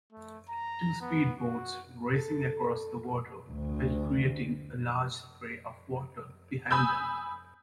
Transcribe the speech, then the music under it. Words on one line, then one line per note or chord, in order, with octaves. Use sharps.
Two speed boats racing across the water while creating a large spray of water behind them.
A3
A#5
B3
F#4
A4
D2
G#5 B5 D#6 E6 G6